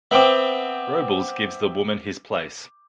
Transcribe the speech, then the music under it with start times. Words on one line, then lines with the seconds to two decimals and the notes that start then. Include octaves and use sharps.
Robles gives the woman his place.
0.11 B3 C4 E5 G5 D6